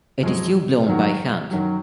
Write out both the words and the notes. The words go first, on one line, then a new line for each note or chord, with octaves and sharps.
It is still blown by hand.
F#2 F3 G#3
F#2 D#3 F#3
F#2 D#3 F#3